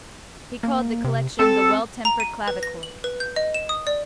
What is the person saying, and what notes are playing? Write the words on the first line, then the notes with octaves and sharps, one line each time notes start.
He called the collection "The Well-tempered Clavichord."
A#3
C3
C4 A4
A#5
D#7
B4
A#6
F#7
B4
G6
D#5
E7
D#6
D5